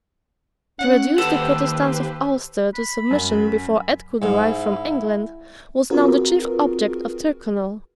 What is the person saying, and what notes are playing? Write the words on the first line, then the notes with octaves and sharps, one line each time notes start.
To reduce the Protestants of Ulster to submission before aid could arrive from England was now the chief object of Tyrconnel.
C#4 F#5
D#2 G4 A4 B4 C5 F#5
B5
F#2
G#2 E4
C4 F4 F#4 G#4 A#4 B4